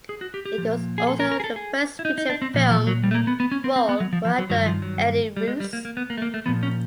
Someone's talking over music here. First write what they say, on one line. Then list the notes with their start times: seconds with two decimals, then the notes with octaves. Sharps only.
It was also the first feature film role for actor Eddie Rouse.
0.09 G#4
0.21 F#4
0.34 G4
0.46 G4
0.58 A#2 F3
0.98 G#4
1.07 A4
1.20 A#4
1.31 A#4
1.40 G#4
1.44 A4
1.56 G#4
1.99 E4
2.05 D#4
2.18 D#4
2.30 D4
2.42 C4
2.54 A#2 F3
2.71 F3
2.87 F#3
3.04 G3
3.11 A3
3.15 A#3
3.27 B3
3.40 B3
3.51 C#4
3.64 C4
3.76 C4
3.89 B3
4.00 F#3
4.13 F3
4.25 F3
4.38 F#3
4.50 G2 D#3 F#3
4.66 F3
4.82 F#3
5.37 G3
5.47 G#3
5.60 G3
5.73 A#3
5.85 A#3
5.97 B3
6.10 A#3
6.17 A3
6.22 A#3
6.34 A3
6.46 A#2 F3 B3
6.63 C#4